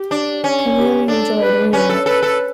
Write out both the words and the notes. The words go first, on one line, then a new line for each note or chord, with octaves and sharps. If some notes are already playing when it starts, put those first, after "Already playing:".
I really enjoyed reading it.
Already playing: G4
D4
C#4
G4
D4 A4
B4
C#4 B4
A4
A4 B4
A4